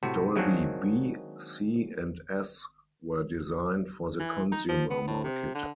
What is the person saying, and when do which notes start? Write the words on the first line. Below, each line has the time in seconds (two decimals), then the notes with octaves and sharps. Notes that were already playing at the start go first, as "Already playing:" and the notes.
"Dolby B", "C", and "S" were designed for the consumer market.
0.03 A2 C3 F#4
0.36 D#3 F#3 G#3 A#3 C4 D4
4.19 E3
4.52 D#4
4.68 F3
4.90 B3
5.07 A2
5.24 C3
5.55 D3